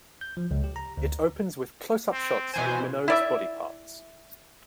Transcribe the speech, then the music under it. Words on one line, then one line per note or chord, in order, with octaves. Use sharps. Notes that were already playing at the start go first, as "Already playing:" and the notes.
It opens with close-up shots of Minogue's body parts.
G6
F3
C#2
G4
A#5
D2
C4
B2 E3 C5 G#5
E4 D5 E5